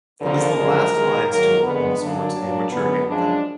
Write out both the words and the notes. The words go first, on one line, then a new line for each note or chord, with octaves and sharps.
It was the last Lions tour in the sport's amateur era.
D#2 D3 F3 A#3 A#4
F#2 D3 F3 G#3
D#2 D#3 G#3
G#2 D#3 F#3 A#3 A#4
F2 D3 G#3 B3
F#2 D3 F#3 A#3 D4
A#2 F#3 A#3
F#2 D3 G#3 B3
F#2 F3 G#3 D4